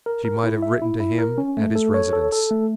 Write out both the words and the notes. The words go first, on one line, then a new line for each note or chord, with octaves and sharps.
She might have written to him at his residence.
A#4
A#4
E4
E5
E4
E4
A#4
C#4
A3
A4
C#5
A4
A4
A3